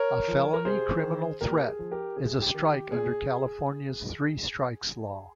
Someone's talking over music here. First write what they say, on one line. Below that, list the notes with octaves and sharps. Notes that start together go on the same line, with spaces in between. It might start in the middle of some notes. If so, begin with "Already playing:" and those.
A felony criminal threat is a strike under California's three strikes law.
Already playing: A#4 C#5
F3
A#4
C3 G#4 C5
D#3
A#2 G4 A#4
G#4
F3
G4 A#4
C3 G#4
G4
D#3
G4
A#2 G#4